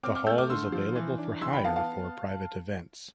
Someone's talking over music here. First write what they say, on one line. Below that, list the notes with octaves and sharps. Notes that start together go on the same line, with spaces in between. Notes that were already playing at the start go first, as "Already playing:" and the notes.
The hall is available for hire for private events.
C4 D6 F6
D6 F6
A3 E6 G6
D6 F6
D3 C6 E6
F3
E3
D4
E3 C6 E6
G5 B5
B3 F5 A5
F5 A5